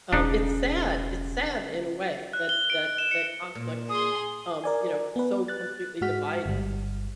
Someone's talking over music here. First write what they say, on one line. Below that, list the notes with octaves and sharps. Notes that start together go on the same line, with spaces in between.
um, it's sad, it's sad in a way that that that conflicts, um, you know, so completely divide
E1 C#3 D4 D#4
F#6
G7
D7
G7
E7
C#7
A#2
G#4 C6 D#6
A#4 D5 G#5
B3 B4
F#6 A6
G#2 G#3 F#4 F6 B6
G1 G3